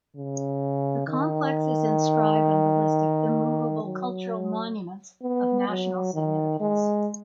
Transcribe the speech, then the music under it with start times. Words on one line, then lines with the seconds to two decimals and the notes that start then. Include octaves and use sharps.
The complex is inscribed on the list of Immovable Cultural Monuments of National Significance.
0.16 C#3
1.08 D#3
3.83 F#3
5.22 B3
5.68 F#3
6.14 D#3
6.60 G#3